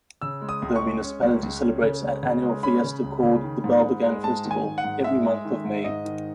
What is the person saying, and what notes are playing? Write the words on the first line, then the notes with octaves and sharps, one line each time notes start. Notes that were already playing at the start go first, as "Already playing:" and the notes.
The municipality celebrates an annual fiesta called "The Balbagan Festival" every month of May.
C#3 E6
G#3
D#6
C#2
C#6
G#3
C#4
C#2
C#2
C#4
C#3
C#2
C#3
G#3
C#4 B5
C#3
C#2
C#3
D#3
G#2
G#2
G#3
G#2 A5
D#3
G#5
G#2
F#5
G#2
G#3 E5
G#3
D#3
G#2
G#2 D#5
D#3